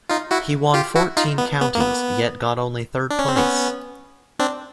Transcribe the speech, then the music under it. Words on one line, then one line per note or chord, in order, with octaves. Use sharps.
He won fourteen counties, yet got only third place.
D#4 F4
E4 F#4
F4 G4
E4 F#4
D#4 F4
B3
B3
A#3
B3
D4
C#4
C4
B3 C#4
C4 D4